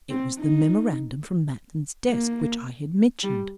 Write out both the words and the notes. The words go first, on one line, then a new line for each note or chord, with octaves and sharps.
It was the memorandum from Manton's desk which I had mentioned.
C4
D#4
A#3
G3